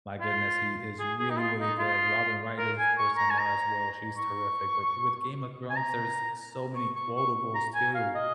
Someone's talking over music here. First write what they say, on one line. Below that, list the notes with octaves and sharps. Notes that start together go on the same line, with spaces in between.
my goodness, he is really, really good, Robin Wright is of course in there as well, she's terrific, but with Game of Thrones, there is so many quotables too,
F4
G#4
G#4
D#4
F4
D#4
F4
A#4
G#5
C#6
A#5
G#5
A#5
C#6
G#5
A#5
C#6
C#6
C#6
A#5
G#5
F5
D#5